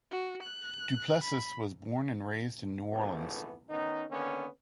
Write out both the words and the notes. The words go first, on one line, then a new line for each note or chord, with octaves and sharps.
Duplessis was born and raised in New Orleans.
F#4
F#6
B5
G#1 F2 C#3 E3 A3 B3
D#3 B3 C#4 D#4
D3 D#3 A#3 B3 C#4